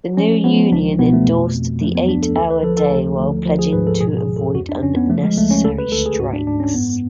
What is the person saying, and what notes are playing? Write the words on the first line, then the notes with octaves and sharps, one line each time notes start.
The new union endorsed the eight-hour day while pledging to avoid unnecessary strikes.
F3 C#4
F3 B3
C#2 D4
B2 B3
A3
F2
F2
F3 A3
B3
D2 D4
A4
D2 A4
B4
F3 A4
A4
D2
D2
F3
G#4
G#2 B4
A4
B2 G#4
G#4
C#2
A4
F2 F#4
D4
F2 C#4
B3
F3 A3
G#3
C#2 A3
C#4
D2 A4
B4
D2 A4
G#4
G#2 F#4
D4
G#2 D4
C#4
F#2 B3